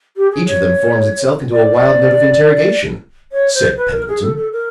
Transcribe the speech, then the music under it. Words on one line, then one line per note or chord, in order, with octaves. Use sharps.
"Each of them forms itself into a wild note of interrogation," said Pendleton.
G4
G#4
C#5
D5
C#5
C5
B4
A#4
G#4
A4
A4
A#4